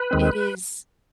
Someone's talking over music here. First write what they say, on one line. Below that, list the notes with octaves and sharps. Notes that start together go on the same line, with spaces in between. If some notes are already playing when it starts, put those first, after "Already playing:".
It is
Already playing: B4
D#2 D#3 G#3 C4